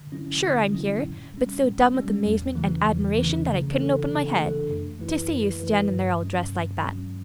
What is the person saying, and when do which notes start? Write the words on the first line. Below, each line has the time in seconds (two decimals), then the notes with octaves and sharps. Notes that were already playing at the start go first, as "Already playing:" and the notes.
Sure I'm here--but so dumb with amazement an' admiration that I couldn't open my head--to see you standin' there all dressed like that!
Already playing: D3
0.12 F#3 C#4 E4
0.42 D3
0.73 F#3 C#4 E4
1.03 A2
1.34 G3 C#4
1.64 A2
1.94 G3 C#4
2.25 E2
2.55 C#3 E3 A3 C#4
2.85 E2
3.16 C#3 E3 A3 C#4
3.48 C#3
3.77 E3 A3 D4 A4
4.08 C#3
4.38 E3 A3 D4 A4
4.69 F#2
4.99 E3 A3 E4 B4
5.30 F#2
5.60 E3 A3 E4 B4
5.90 G2
6.21 F#3 C#4
6.52 G2
6.82 F#3 C#4